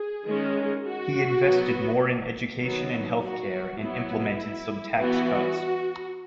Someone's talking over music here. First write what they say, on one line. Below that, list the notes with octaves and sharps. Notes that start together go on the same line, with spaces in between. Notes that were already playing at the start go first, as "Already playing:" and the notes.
He invested more in education and health care, and implemented some tax cuts.
Already playing: G#4
D#3 G#3 C#4
F#4
F#3 B3
D#3 F#3 B3
F#4
F#3 B3 E4
E3 B3 F#4